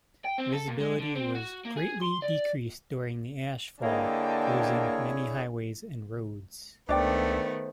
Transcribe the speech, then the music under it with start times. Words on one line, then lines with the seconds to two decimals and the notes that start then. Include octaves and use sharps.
Visibility was greatly decreased during the ash fall, closing many highways and roads.
0.25 G5
0.38 C4
0.53 A4
0.68 A#2
0.80 G#3
1.00 D3
1.15 C4
1.35 F#4
1.65 A#3
1.76 G#4
2.01 C6
2.22 D5
3.83 D3 A#3 E4 G#4 C#5 D#5 G5 A5
6.89 C#2 D#3 A3 B3 D4 C5 D5 G5